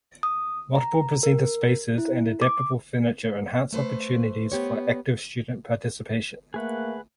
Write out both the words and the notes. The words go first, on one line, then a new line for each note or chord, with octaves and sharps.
Multiple presenter spaces and adaptable furniture enhance opportunities for active student participation.
D#6
A#5
A#4
E4
D6
A3 B4 C5
B3 G4 C#5
A3 A#3 G#4 B4 F#5